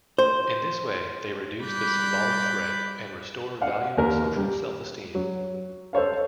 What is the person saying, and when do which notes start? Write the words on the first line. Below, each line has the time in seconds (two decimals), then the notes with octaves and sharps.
In this way, they reduce the symbolic threat and restore valued social self-esteem.
0.19 C5
1.62 G3 B5 D6 F#6 G6
3.61 D5 F5 F#5
3.97 D#2 A#4
4.36 G3
5.15 F#3
5.93 A4 C5 C#5 F5